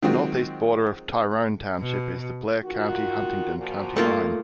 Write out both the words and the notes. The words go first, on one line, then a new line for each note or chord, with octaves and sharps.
The northeast border of Tyrone Township is the Blair County-Huntingdon County line.
D#3 F#3 G#3 C4 F4 F#4
B2
D#3 F4 F#4
A#2 F3 F#4
A3 A#3 F4